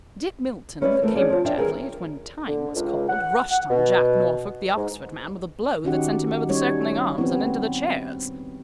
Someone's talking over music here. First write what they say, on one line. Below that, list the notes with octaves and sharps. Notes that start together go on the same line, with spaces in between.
Dick Milton, the Cambridge athlete, when "time" was called, rushed on Jack Norfolk, the Oxford man, with a blow that sent him over the circling arms and into the chairs.
G3 C#4 B4 C5 D5 E5
E3 A3 C4 A#4
C#4 D4 G#4 D5
F3
E2 D4 E5 G5
D#3 E3 G3 G#4 A#4
D3
C#2
F#5
F#5
B2
G#2
D#3 C#4 D#4 F#4 G4 F#5
G3 C#4 D#4 C#5
B3 C4